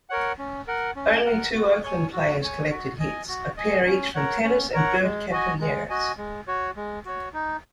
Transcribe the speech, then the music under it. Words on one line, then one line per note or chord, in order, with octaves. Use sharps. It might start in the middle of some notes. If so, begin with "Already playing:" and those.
Only two Oakland players collected hits, a pair each from Tenace and Bert Campaneris.
A#4 C#5 F#5
C#4
A#4 F#5
C#4
A#4 F#5
F#4
C#5 G#5
F#4
C#5 G#5
F#4
D#5 G#5
F#4
D#5 G#5
C#4
A#4 C#5 F#5
C#4
A#4 C#5 F#5
G#3
F#4 D#5 G#5
G#3
F#4 D#5 G#5
G#3
F#4 C#5
G#3
F#4 C#5
D#4